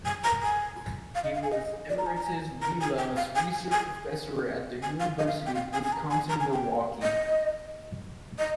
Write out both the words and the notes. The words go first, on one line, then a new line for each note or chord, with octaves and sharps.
He was Emeritus Vilas Research Professor at the University of Wisconsin-Milwaukee.
G#5
A#5
G#5
F5
D#5
F5
G#5
D#5
D5
A#5
G#5
A#5
G#5
A#5
G#5
G5
F5
G#5
G#5
G#5
G#5
F5
D#5
F5
G5
F5
G#5
G#5
A#5
G#5
A#5
G#5
G5
D#5
D#5